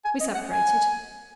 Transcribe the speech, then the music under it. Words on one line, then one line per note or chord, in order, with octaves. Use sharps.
We separated.
G#5
D#5
F#5
G#5